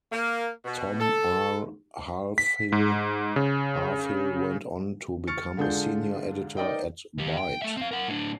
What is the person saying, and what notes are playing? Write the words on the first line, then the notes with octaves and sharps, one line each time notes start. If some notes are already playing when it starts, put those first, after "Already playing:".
Tom R. Halfhill: Halfhill went on to become a senior editor at "Byte".
A#3
B2
A4
B6
G#2
C#3
C#6 F6 A6 C#7
G#2 D3 D4 F4 G#4 G6
D#4 A#4 D5 D#5 G5
D#3 G4
G5
A3 E5
C4 F5
A#4 F#5
A2 D4